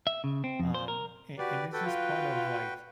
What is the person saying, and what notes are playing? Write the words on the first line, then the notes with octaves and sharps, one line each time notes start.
um, a and it's just part of, like,
E5
C#3
C4
F2
C5
A#4
F#4 G4 B4 D5
F#4 A4 B4 G5
F4